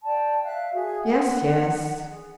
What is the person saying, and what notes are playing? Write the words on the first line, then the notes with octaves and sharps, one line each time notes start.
"Yes, yes."
D5 G5 A5
E5 F5 F#6
F#4 G#4 E5
F#5
G#4